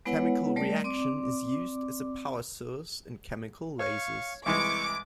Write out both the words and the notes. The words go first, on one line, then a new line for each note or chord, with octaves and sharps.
Chemical reaction is used as a power source in chemical lasers.
G#3 B3 E4 B4 C#5 F#5
G3 A3 A#4 D5
C4 D5 D6
C#5 F5 C#6
C2 E3 G#3 C#6 D6